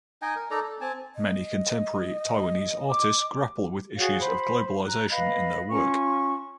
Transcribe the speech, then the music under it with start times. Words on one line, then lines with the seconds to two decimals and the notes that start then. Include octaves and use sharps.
Many contemporary Taiwanese artists grapple with issues of globalization in their work.
0.22 D#4 D#5 G5 G#5
0.36 A#4
0.51 D#4 A4 D5 A#5
0.62 A4
0.81 C4 G#5 A5
1.15 D#5
2.89 D6
3.97 F#4 G#4 C#5 F5
4.19 C5 B5
4.85 A#5 F#6
5.10 B4 D#5 F5 B5
5.70 C#4 F4 C#6